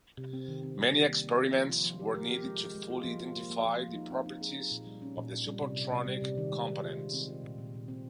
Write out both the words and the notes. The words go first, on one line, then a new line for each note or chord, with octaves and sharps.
Many experiments were needed to fully identify the properties of the subprotonic components.
C3
C4
D#3
C4
G3
D#3
A#3
A#3
F4
F3
F4
F3
G4
A#4
G4
G#3
G#3
G#3
F4
F3
F4
A#3
A#3
F3
F3
D#4
C4
D#4
G#4
G#4
A#2
G3
C#4
A#2
A#2
G3
C3
C3
C3
G3
C3
D#3
G#3
G#3
F4
G#3
C4
F4
A#2
A#2
A#2
C4